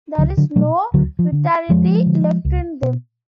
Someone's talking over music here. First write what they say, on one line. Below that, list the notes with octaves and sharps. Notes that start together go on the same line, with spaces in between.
There is no vitality left in them.
C#2 D3 F#3
D3 F#3
B2 F#3 A3
D2 D3 F#3
F3
D3
F2 F3 G#3
D3
C#2
B2